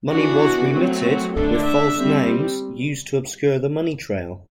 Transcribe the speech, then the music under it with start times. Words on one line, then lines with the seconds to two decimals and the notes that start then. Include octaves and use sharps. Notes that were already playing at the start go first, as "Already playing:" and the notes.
Money was remitted, with false names used to obscure the money trail.
0.11 E3 B3 D4 F#4
0.73 F#3 A3 C4
1.04 F#4
1.35 D3 A3 D4 A4
1.66 E5
1.97 G3 C4